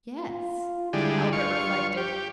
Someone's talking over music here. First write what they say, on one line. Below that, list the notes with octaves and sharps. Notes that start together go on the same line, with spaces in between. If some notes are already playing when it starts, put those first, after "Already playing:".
"Yes."--Albert reflected.
F4
D3 G3 G#3 E4
G2 F4 C#6
G4